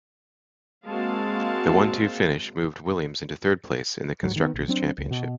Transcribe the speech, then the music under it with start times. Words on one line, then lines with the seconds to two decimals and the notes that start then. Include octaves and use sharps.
The one-two finish moved Williams into third place in the Constructors' Championship.
0.87 G#3 A#3 C4 F#4 F5 A5
4.23 D1 F2 G#2 F#3
4.36 D#3 G#3 B3
4.54 A#1
4.68 F#3 C4 D4
4.98 C#2
5.11 B2